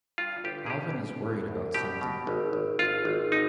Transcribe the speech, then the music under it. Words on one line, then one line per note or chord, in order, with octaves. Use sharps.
Alvyn is worried about something.
G2 F4
G1 G4
G#4
G1 G4
G1
B2
C2
B2 G4
B2
G#1
G#1
G#1 F4
G#1
D3 D#4